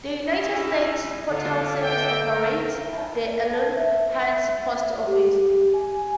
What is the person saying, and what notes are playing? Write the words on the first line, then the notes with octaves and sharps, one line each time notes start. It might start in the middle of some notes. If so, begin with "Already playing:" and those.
The United States Postal Service operates the Allenhurst Post Office.
C#4 D#4 E4
D3 F4
D#5 E5 G5
A#4
A5
E5
G4
G#5